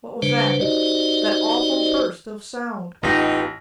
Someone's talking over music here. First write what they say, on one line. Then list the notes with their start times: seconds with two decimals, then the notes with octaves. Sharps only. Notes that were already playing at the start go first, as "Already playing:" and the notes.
What was that--that awful burst of sound?
0.22 C#3 G3 D4 B4 C5
0.61 D#4 F#4 G4 C5 D5 D#5
3.03 A1 B3 D#4 F4 G4 A#6